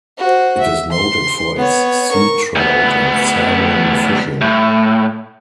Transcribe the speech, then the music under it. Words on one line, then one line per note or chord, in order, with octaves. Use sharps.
It is noted for its sea trout and salmon fishing.
F#4 C5
E5
C6
B3 C#5
A#4 C#6
D2 B3
A2